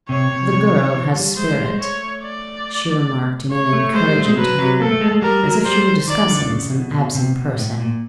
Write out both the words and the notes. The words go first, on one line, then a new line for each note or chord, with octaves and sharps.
'The girl has spirit,' she remarked, in an encouraging tone, as if she were discussing some absent person.
C3 C#5
C3
C3
C3
E3
G3
G#3 C5
A3
G#3
G3
G#3
A3 C#5
D5
C#5
A3
G#3 C5
G3
A3
G#3
F#3 B4
F#3
A#3 A4
A3
G#3
G#3
G3 A#4
F#3
G3 C5
G3
D#3 D5
D3
C#3
B2
B2
C3
B2
A2
A#2